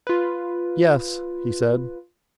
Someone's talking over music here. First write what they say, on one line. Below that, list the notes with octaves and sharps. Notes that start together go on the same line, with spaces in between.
"Yes," he said.
F4 B4